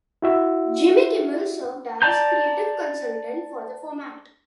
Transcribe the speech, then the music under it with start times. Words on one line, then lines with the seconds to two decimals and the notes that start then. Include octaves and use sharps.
Jimmy Kimmel served as creative consultant for the format.
0.22 E4 F#4 E5
2.02 D5 A5 A#5 G6